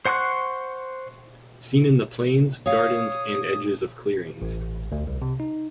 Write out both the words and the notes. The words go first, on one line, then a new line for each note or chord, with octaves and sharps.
Seen in the plains, gardens, and edges of clearings.
C5 F#5 C6 C#6 F#6
C#5 F5 D#6
A1
D2
C2
C3
D#4